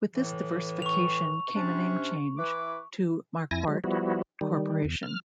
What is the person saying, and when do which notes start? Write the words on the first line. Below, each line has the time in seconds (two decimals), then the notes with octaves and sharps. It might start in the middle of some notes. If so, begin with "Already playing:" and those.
With this diversification came a name change, to Marquardt Corporation.
0.15 A2 E3
0.82 C#6 F7
1.55 C3 C#4 D4
2.38 E3 B4 D6
3.51 F2 E4 G#5 A#6
3.68 F#3 G#3
3.84 F3 G3 B3 E4 F#4
4.41 D#3 G3
4.85 E2
5.03 F6